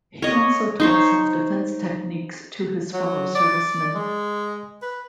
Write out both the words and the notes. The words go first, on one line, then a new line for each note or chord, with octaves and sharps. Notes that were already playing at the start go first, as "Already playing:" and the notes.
He also taught self-defense techniques to his fellow servicemen.
C#5 D#5
D#4 C5 C#5
F#3
D5
G#3
B4